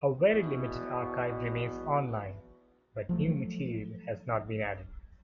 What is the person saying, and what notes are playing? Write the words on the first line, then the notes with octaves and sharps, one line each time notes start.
A very limited archive remains online, but new material has not been added.
E2 B2
F3 F#3 A3